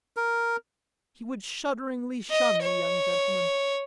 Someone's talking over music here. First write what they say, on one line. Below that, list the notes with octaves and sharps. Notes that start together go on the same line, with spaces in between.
He would shudderingly shun the young gentleman.
A#4
D#5
C#5